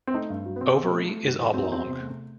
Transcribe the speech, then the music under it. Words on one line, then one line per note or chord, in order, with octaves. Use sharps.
Ovary is oblong.
C4
A3 D#4
G2
F#3
B3
B2 C4
B2
A3
A3
G2
E3
F#3 C4
D#4
E2 C4
C3
A3